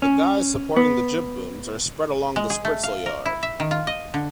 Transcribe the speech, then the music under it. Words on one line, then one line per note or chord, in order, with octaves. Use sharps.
The guys supporting the jib-booms are spread along the spritsail yard.
C#4
B3
G#3
G#4
A3
F5
A#4
E4
E5
D#3
F4
D#5
D3